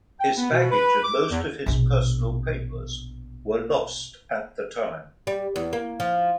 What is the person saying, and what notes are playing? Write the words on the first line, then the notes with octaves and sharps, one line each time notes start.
His baggage and most of his personal papers were lost at the time.
G5
B3
B2
B4
D6
E2
A#1 B2
G3
E2
A#3
F3